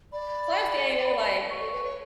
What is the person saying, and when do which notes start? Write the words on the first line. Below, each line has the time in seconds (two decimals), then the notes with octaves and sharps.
So I was standing there like,
0.12 D5 B5
1.04 B5
1.50 C#6
1.60 A4
1.72 B4
1.84 C#5